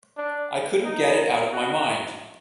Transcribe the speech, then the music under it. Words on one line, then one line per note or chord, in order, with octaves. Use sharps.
I couldn't get it out of my mind.
D4
D#4
F#4